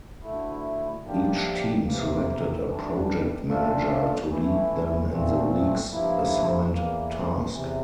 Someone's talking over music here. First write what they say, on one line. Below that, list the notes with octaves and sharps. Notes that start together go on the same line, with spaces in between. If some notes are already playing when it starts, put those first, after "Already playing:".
Each team selected a "project manager" to lead them in the week's assigned task.
D2 D3 A3 E4
A2 F3 A#3 D4 G4
C3 E3 A#3
E3 G3 D4
A#2 A3 D4 F4 A4
E3 A3 E4
A#2 A3 C4
G2 F3 A#3 E4
E2 E3 A#3
E2 C3 E3